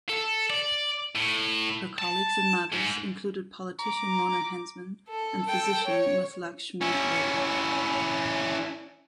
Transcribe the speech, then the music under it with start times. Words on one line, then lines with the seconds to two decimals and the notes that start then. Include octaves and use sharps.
Her colleagues in Madras included politician Mona Hensman and physician Muthulakshmi Reddy.
0.09 A4
0.50 D5
1.15 A2
1.98 A5
2.72 G#2
3.79 A#5 D6
5.09 A4
5.48 A4 G5
5.84 C#5
6.81 C#4 E4